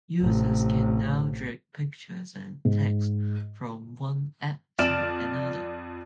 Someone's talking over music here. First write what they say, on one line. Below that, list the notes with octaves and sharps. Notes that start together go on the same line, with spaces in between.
Users can now drag pictures and text from one app to another.
A1 C3
G#2
F2 D5 F6 D7 E7 F#7